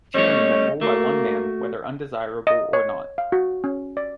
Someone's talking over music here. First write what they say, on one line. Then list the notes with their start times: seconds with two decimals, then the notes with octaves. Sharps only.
"Tyranny" meant rule by one man whether undesirable or not.
0.14 G3 A3 C#4 C#5 D#5
0.81 A3 A#3 F#4
2.47 D#5
2.73 C#5
3.18 F5
3.32 F#4
3.64 C#4
3.97 D5